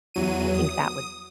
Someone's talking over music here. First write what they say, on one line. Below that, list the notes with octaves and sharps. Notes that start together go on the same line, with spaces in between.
I think that would
E2 F#3 D#7
D#6